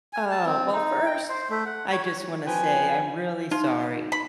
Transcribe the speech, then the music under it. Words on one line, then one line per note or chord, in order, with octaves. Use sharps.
Oh. Well, first, I just wanna say I'm really sorry.
G#5
A5
C4
D#4
G5
C5
A3
F#5
C#5
C#5
F3 C4 B4 G5 G#5
D#4 F4
B5